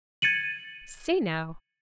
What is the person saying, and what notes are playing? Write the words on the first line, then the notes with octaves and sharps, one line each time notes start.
"Say, now."
G#6 A6 C#7 D#7 F#7